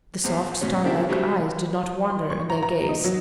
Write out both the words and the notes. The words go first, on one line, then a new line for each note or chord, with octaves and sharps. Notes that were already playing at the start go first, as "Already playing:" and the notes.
The soft, star-like eyes did not wander in their gaze.
A#1 E2 C4
G#2 B2 C#4
C#3 A#3 C4 D4 E4 G4
C3 F#3 G3 A3 C4
C6
C#6
A#5
A#5
D#4
F#3